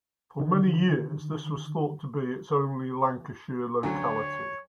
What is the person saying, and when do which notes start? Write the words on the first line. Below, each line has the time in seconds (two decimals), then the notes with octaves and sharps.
For many years this was thought to be its only Lancashire locality.
0.40 D3 D#3
3.83 D2 F#3 C#5